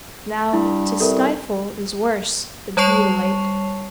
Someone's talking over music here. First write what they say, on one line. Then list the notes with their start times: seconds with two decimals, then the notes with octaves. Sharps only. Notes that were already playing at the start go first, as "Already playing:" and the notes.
Now to stifle is worse than to mutilate.
0.53 G2 E4
1.00 C2 A4 A#4
2.77 G3 C#5 A5 C#6 C7 F7